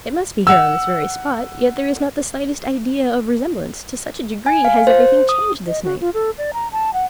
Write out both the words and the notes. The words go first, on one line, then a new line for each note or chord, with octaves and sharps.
It must be here on this very spot; yet there is not the slightest idea of resemblance, to such a degree has everything changed this night!
F#5 E6
G#5
F5
C5
D#6
D#5
F#4
F4
A4
D5
A#5
A5
F#5